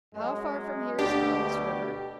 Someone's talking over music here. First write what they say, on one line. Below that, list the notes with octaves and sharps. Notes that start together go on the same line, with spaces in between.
How far from here is Columbus River?
F#2 G#3
D2 B2 D4 G4